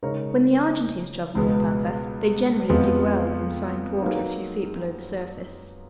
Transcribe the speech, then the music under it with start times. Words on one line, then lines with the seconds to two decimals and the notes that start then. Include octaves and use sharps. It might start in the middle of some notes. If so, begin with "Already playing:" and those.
When the Argentines travel in the Pampas they generally dig wells, and find water a few feet below the surface.
0.02 C#3 G#3 D#4 A#4 C#5
1.35 C#2 B2 G#3 B3
2.69 F2 F3 G#3 B3 F4
4.02 F#3 A#3 D#4 G#4 B4